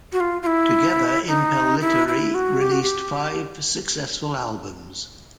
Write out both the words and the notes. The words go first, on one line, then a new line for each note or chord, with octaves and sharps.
Together, Impellitteri released five successful albums.
F#4
F4
F4
E4
D#4
E4
E4
F#4
G4
F#4
G4